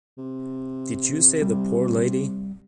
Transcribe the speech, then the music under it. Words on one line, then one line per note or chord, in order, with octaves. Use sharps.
Did you save the poor lady?
C3
G3